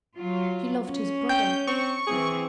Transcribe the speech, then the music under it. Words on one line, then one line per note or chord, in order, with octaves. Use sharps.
She loved his brother.
F#3 F4
C#4
G5 G6
C4 C#6
E3 C4 G#4